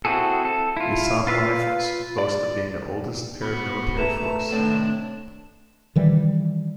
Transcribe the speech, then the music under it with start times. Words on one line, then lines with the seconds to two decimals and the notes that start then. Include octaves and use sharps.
The Assam Rifles boast of being the oldest paramilitary force.
0.05 C4 E4 F#4 G#4 A4
0.45 A4
0.77 E4 F4
1.27 F4 B4 F5 E6
2.18 D5
3.42 B3 F#4 B5
3.97 A3 B4 A#5 E7
4.52 A2 C3 D#3 D4 D5
5.96 D#3 E3 G3